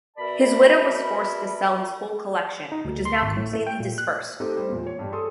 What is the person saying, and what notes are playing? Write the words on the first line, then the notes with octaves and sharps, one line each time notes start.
His widow was forced to sell his whole collection, which is now completely dispersed.
B2 A#4 D5 E5 A5 B5
D#4
D2
C6
G#1
A2
A3
G5
A#2
F#6
A3 C4 D#4 G4 A4 D#5
G3 C5
E1 A#2 F3
C#5
G2 G3
G#4 A4 C6 D#6